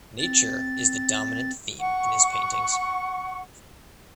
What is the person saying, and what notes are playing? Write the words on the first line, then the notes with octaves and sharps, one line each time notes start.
Nature is the dominant theme in his paintings.
C4 A6
F#5 C#6